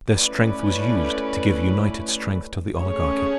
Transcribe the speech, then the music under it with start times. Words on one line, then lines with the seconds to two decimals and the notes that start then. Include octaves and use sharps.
Their strength was used to give united strength to the Oligarchy.
0.13 A3 C#4 E4 B4 D5
2.78 A3 C#4 G#4 C#5